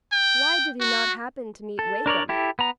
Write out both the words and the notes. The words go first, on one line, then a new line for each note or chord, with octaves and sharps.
Why did he not happen to meet Wakem?
G5
F#4
A4
D4 A#4 C#5 D5
E4 G4 A4
B3 A#5